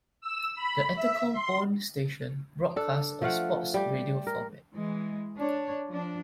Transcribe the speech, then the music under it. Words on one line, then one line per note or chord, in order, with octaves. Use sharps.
The Entercom-owned station broadcasts a sports radio format.
E6
B5
E5
C6
D4 A4
F3 A3 F5 F#5
G3 G4
A#4
E3 G#3
D4 C#5
F3 D4